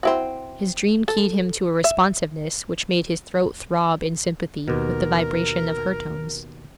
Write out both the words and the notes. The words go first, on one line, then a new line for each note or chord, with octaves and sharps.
His dream keyed him to a responsiveness which made his throat throb in sympathy with the vibration of her tones.
C4 E4 F#4
A4
E5
D#2 B2 A#4